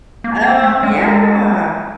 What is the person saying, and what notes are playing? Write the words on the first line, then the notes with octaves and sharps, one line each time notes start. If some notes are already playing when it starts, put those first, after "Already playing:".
Oh, yeah.
A#3
A#3
A3
G#3
G#3